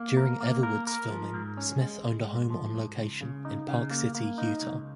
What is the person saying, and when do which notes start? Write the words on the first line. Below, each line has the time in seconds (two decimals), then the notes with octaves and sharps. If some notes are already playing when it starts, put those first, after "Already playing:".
During "Everwood"'s filming, Smith owned a home on location in Park City, Utah.
Already playing: A#3
0.17 A#4
0.41 A#3
0.63 A#4
0.87 A#4
1.11 F3
1.34 G#2
1.57 C#4
1.81 G#3
2.04 G#3
2.27 G#2
2.50 F3
2.74 G#2
2.97 C#2
3.21 C#3
3.45 D#4
3.68 C#3
3.91 A#3
4.15 A#3
4.38 D#4
4.61 C#2